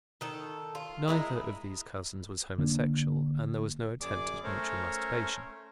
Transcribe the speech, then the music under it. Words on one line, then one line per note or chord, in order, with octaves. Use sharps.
Neither of these cousins was homosexual, and there was no attempt at mutual masturbation.
D#3 A4
F4
G#3 E4 G#4 A#4
D3 A#3 D4
F#2 G#4 D5 D6
A3 C#4 A#4 C5 C#5